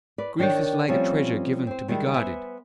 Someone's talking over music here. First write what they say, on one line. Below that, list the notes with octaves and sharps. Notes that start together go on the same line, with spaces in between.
Grief is like a treasure given to be guarded.
B4 D5
D#3 D4 A#4 C#5 G5
F3 G3 A3 C4 C#4
C4 C5
D#3 G3 G#3 E4
B3 B4 C5 E5 G#5